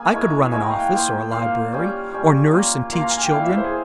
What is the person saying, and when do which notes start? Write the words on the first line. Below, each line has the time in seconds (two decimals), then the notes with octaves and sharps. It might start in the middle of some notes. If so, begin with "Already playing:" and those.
I could run an office or a library, or nurse and teach children.
Already playing: A#3 G#4 G#5
0.12 G#3 E4 A#4 C#5
0.52 G#3 E4 A#4 C#5 G#5
0.62 G5
0.71 F5
0.80 G5
0.92 A#3 F4 C5
1.31 A#3 F4 C5 F5
1.72 G3 C#4 G4 C#5
2.12 G3 C#4 G4 C#5
2.51 A#3 F4 A#4
2.91 A#3 F4 A#4 F5
3.02 A#5
3.11 G#5
3.21 G5
3.31 G3 A#3 E4 F5
3.44 E5
3.57 C5
3.64 G#4